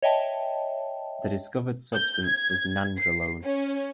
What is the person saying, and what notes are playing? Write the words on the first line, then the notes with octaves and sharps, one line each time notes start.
The discovered substance was nandrolone.
C#5 D#5 E5 G5 A5
G6
G#6
C7
C#4